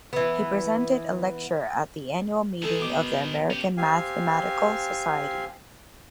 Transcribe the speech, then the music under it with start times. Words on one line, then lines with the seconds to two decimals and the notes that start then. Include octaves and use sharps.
He presented a lecture at the annual meeting of the American Mathematical Society.
0.13 E3 B3
2.63 D#3 G#4 A4 G#5 A5
2.79 B2 B3 D6
3.50 C#4 G4
3.77 C4 G4 F5 G#5